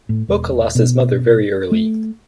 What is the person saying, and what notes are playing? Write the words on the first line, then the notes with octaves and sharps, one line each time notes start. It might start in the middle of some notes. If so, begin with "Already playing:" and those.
Boka lost his mother very early.
A2
E1
B2
A3